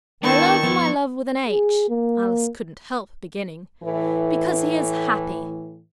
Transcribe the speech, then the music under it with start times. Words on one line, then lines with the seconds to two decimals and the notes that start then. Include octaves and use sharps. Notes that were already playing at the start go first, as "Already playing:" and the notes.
'I love my love with an H,' Alice couldn't help beginning, 'because he is Happy.
0.23 D#3 B3 D4 E4 A5 C#6
0.63 F3 B3 E4
1.49 G#4
1.89 A#3
3.83 A2 E3